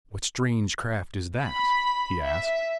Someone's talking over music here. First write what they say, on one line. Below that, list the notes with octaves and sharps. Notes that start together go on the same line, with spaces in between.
"What strange craft is that?" he asked.
B5
E5